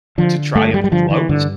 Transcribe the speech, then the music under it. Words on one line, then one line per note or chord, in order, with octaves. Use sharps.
to try and float
D3 F3
G2 A3
G3
G3
D3 F3
E3
G2 D3